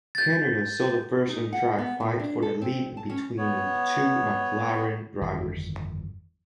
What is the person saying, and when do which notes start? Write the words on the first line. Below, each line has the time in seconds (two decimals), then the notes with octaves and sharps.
Canada saw the first on-track fight for the lead between the two McLaren drivers.
0.15 G6 A6
1.28 D#4
1.53 F#5
1.79 B3
2.00 A#2
2.19 D4
2.42 A4
2.62 C4
2.97 A5
3.09 C#4
3.38 B3 C#5
5.21 G1 F2 D#3 E3